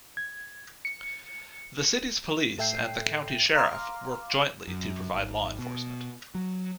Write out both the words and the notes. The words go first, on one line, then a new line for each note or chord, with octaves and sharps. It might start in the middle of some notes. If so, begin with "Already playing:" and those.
The city's police and the county sheriff work jointly to provide law enforcement.
G#6
C#7
A2 A4 E5 G5 G6 C7
F5 A#5 C6 D6 F6
F#2
G#1
B2
F#3